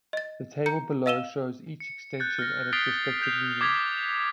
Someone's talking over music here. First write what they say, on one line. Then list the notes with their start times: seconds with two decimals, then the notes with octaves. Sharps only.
The table below shows each extension and its respective meaning.
0.13 D#5 A6
0.66 A#5 G6 C#7
1.06 D#5 F5 E6 D#7 E7 G7
1.80 C#7
2.20 F#6 G6 A6
2.39 F6 A#6
2.73 D#6 A6 B6 C7 D7 G7
3.22 G6 C7 F7
3.61 D6 D#6 G#6 A6 B6